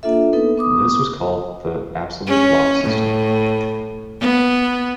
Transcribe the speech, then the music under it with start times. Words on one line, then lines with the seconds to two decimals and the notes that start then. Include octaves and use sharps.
This was called the "absolute block system".
0.03 A#3 D4 F4 A4 E5
0.33 B3 D#4 A4 B4
0.57 B3 D6 D#6
2.27 C#4
2.84 A2
4.21 B3